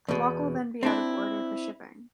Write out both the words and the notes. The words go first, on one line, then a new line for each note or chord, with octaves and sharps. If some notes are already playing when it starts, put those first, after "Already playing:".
The lock will then be out of order for shipping.
E2 B2
C4 D4 E4